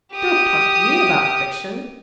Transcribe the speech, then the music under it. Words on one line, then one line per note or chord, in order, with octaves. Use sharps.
Don't talk to me about fiction!
G4 D#6